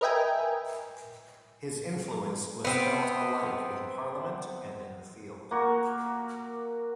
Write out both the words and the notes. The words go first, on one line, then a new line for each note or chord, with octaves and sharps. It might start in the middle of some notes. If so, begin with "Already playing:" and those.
His influence was felt alike in parliament and in the field.
A#4 B4 D#5 E5 G5 G#5
B3 C4
A#3 F#4